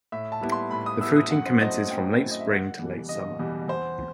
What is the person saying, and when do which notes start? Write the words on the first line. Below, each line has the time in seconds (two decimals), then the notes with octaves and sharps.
The fruiting commences from late spring to late summer.
0.12 A2 E5
0.32 A5
0.41 G3 B3 E4
0.52 C6
0.71 A2 B5
0.86 D#6
1.01 G3 B3 E4 E6
1.16 D#6
1.30 F#2 F#5
1.46 C5
1.61 F#3 A3 C4 E4 D#5
1.91 F#2 G5
2.20 F#3 A3 C4 E4
2.31 D#5
2.40 E5
2.50 F#1 F#5
2.79 E2 B2 G3
3.09 F#1 D#5
3.39 E2 B2 G3
3.68 E2 C5